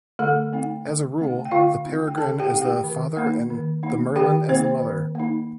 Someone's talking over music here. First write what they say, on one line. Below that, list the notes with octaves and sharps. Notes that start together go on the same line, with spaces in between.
As a rule, the peregrine is the father and the merlin is the mother.
D3 A3 A4
A3 C4 D#4
D3
A3 C4 D#4
G5
D3 F4 F5
A3 C4 D#4
G5
D3 A4 A5
G4 G5
A3 C4 D#4
G4 G5
D#3
A#3 D#4
D#3
A#3 D#4
D#3 G4 G5
A#3 C4 D#4 C5
D#3
A#3 D#4